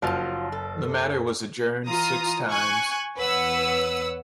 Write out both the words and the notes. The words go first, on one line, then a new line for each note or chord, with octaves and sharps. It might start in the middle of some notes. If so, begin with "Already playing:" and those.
The matter was adjourned six times.
F#1 F3 F#3 F4 A5 F6
A4
E3 F4 A#5 D#6
G#5 C#6 F#6
E2 B4 C#5 F#5 E6